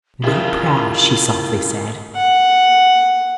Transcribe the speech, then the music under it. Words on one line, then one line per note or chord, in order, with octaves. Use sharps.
"Not proud," she softly said.
F2 C#3 E4 F4 G4 A#4 E5
F#5